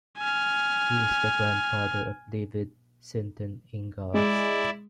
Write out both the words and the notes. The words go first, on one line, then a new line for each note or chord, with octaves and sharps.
He is the grandfather of David Sinton Ingalls.
G#5 F6
G#3 E4 D5